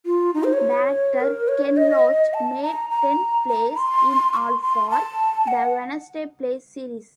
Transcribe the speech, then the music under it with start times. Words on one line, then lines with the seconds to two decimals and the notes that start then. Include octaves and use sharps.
Director Ken Loach made ten plays in all for "The Wednesday Play" series.
0.06 F4
0.34 D#4
0.44 C5
0.53 C#5
1.20 A#4
1.48 C#5
1.77 D#5
2.34 A5
2.63 A#5
2.90 A#5
3.48 A#5
3.77 C6
4.33 C#6
4.37 C6
4.62 C6
4.90 A5
5.48 F#5